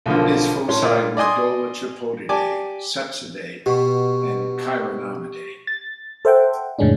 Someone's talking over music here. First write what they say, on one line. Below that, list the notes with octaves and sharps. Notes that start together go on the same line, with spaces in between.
His foci were Dolichopodidae, Sepsidae and Chironomidae.
B1 D3 F3 A#3
A2 C#4 C6
A#2 D5
D5 D#5 G#5 C6 D#6
G4 D5 G#5 A5 D6
B2 G4 C#6
A6
A4 C5 E5 F#5 G5
F2 A2 C#3 G#3 C#4 D4